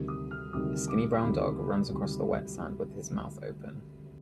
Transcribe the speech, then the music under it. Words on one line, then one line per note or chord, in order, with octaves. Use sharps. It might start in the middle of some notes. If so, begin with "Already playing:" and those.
A skinny brown dog runs across the wet sand with his mouth open.
Already playing: D2 C3 D#3 G3
D#6
F6
D2 C3 D#3 G3 D#6
D6
D2 C3 D#3 G3 B5
D2 C3 D#3 G3